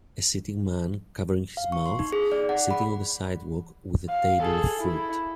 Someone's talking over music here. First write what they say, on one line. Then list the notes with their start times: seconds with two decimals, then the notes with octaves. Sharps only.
A sitting man covering his mouth, sitting on the sidewalk with a table of fruit.
1.57 F5
1.72 C#6
1.86 C6
1.99 D#4
2.12 G#4
2.32 D5
2.49 F#5
2.71 B5
4.09 F5
4.40 G#4 A4
4.80 E4